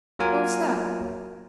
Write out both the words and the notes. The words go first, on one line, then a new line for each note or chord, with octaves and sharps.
What's that?...
F#3 A#3 F4 A#4 G#5